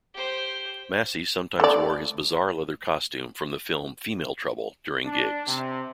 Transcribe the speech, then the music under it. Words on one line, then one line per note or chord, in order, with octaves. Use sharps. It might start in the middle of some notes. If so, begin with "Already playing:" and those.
Massey sometimes wore his bizarre leather costume from the film "Female Trouble" during gigs.
G4 C5
A3 D5
D4
C3